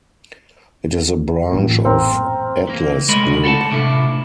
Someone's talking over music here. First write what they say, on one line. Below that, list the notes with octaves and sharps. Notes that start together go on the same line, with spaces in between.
It is a branch of Atlas Group.
A1 F#2 A#2
C4 A#4
E3 A#3
C2 G#3 A3 C#5 D#5 B5
A4 F#5 G5 A5
A2 C3 D4 E4 F4